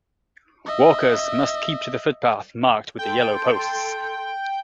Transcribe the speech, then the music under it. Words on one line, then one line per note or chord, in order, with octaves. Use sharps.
Walkers must keep to the footpath marked with the yellow posts.
D#5 E5
A4 G5 C6